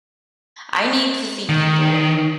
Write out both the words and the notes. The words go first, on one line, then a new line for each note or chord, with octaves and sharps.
I need to see people.
D#3